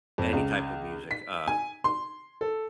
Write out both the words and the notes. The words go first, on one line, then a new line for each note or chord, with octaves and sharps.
any type of music. Uh,
F2
C#2
B6
G#5
C6
A4